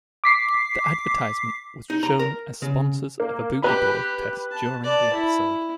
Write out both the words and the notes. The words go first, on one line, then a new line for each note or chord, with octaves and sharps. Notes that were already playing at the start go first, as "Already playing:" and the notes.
The advertisement was shown as sponsors of a boogie board test during the episode.
D6 B6 C7
D#4
A#5
A#4
C#3
A#3
G4 B4 B5
A5
D5 A5
E4